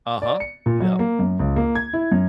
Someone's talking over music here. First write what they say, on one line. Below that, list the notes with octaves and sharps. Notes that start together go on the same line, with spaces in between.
Uh-huh, yep.
D5
C#7
A#2
F#3
A#3
F#2
C#2
A#3
G#6
E4
F#2